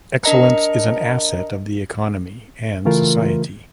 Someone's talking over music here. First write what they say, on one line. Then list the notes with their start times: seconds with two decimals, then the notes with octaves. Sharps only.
Excellence is an asset of the economy and society.
0.24 D4 A#4 D#5 A#5 C#7
2.85 C#3 E3 A3 F4 A#4